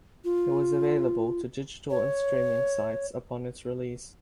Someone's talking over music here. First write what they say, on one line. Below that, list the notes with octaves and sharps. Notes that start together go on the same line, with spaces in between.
It was available to digital and streaming sites upon its release.
F4
C#5